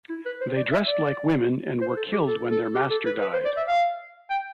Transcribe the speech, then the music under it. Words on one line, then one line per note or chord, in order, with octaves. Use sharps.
They dressed like women and were killed when their master died.
E4
B4
C5
D5
E5
D5
C5
A4
G4
A4
A4
G4
A4
B4
B4
C5
D5
E5
F5
G5